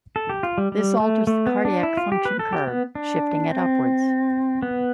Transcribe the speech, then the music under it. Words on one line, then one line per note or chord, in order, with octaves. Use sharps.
This alters the cardiac function curve, shifting it upwards.
A4
G4
F4
G3
G3
A3
A3
B3
D4
E4
F4
G4
B4
A4
G4
B3
D4
C4
B3